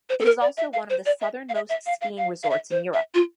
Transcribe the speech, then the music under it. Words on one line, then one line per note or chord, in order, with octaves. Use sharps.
It is also one of the southernmost skiing resorts in Europe.
C5
A4
A#4
D5
E5
F5
C5
D5
E5
F5
E5
E5
F5
F5
F5
F5
E5
C5
E5
F4